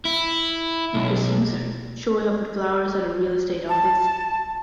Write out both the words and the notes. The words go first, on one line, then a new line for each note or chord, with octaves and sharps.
He pursues her, showing up with flowers at her real estate office.
E4
B1
A5